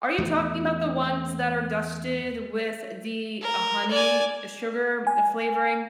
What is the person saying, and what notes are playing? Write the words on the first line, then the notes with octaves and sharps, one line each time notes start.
Are you talking 'bout the ones that are dusted with the honey, sugar flavoring?
E2 A3
A#4
D5 G#5
G#5